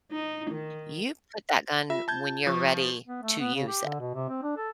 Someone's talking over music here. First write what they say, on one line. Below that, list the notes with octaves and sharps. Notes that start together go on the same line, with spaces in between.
you put that gun when you're ready to use it.
D#4
D#3
F4 E5
A5 G6 G#6
F3 C#6 D#6
B3
A3
B3
C#3
G4
D3
B2
C3
C4
D4
A4